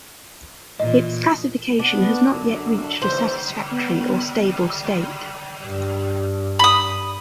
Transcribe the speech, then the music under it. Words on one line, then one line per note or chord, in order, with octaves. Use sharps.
Its classification has not yet reached a satisfactory or stable state.
A#2 E3 D#5
B3 D4
F#2 D3
D#2 D3 E3 C5
B3
G2
B5 D#6